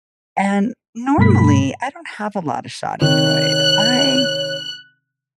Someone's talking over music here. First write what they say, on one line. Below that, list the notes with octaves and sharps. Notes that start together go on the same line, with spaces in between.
And, normally, I don't have a lot of schadenfreude. I
G2 B2 A3 B5 B6
C3 D#3 C#5 F#6